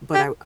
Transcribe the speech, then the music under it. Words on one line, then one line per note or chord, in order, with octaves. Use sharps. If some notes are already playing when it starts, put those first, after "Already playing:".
but, I
G4